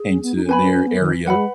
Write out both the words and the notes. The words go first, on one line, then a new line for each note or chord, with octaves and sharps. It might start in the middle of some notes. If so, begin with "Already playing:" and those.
came to their area
Already playing: G#4
C#4
B3
D#4
C#4
B3 B4 G#5 B5
C#4
B3
D#3
F#3 B4 F#5 B5
G#3